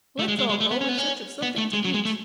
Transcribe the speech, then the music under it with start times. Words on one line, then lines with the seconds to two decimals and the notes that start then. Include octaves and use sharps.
"Let's all go in search of something to eat!"
0.19 A3
0.28 G#3
0.38 G#3
0.49 G#3
0.60 A3
0.71 B3
0.81 C#4
0.89 B3
0.98 C#4
1.42 B3
1.58 A3
1.73 G#3
1.85 F#3
1.94 G#3
2.05 A3